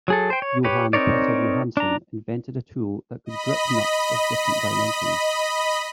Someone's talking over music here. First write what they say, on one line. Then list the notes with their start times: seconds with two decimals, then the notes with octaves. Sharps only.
Johan Petter Johansson invented a tool that could grip nuts of different dimensions.
0.08 F#3 G#4 A4
0.30 C5 G5
0.42 C#5
0.64 G4 B4 C#5
0.93 C4 D#4 A#4 C#5 D5
1.77 D4 A#5
3.26 D#5 B5